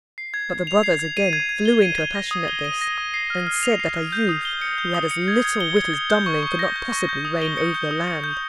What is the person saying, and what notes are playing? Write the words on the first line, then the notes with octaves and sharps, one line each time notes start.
But the brothers again flew into a passion at this, and said that a youth who had as little wit as Dummling could not possibly reign over the land.
C7
G#6
G#6
F7
C7
G#6
D#7
G#6
G#6
G7
D#7
G#6
A#6
D#6
G7
D#7
A#6
D#6
C7
F6
F6
F7
C7
F6
G6
D#6
G7
C#7
G6
D#6
C#7
G#6
G#6
G7
C#7
G#6
G6
C#6
C#6
A#6
G6
C#6
G6
D#6
G7
C#7
G6
D#6
C#7
G6